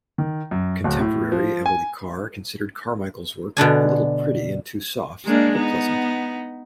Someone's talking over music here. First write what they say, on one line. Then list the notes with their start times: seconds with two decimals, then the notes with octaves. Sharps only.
Contemporary Emily Carr considered Carmichael's work A little pretty and too soft, but pleasant.
0.18 D#3
0.51 F#2
0.84 D1
1.00 A2
1.32 F3
1.66 G#5
3.57 B2 D3 D4 G#5
5.25 G#3 A#3 D4
5.54 B3 D#4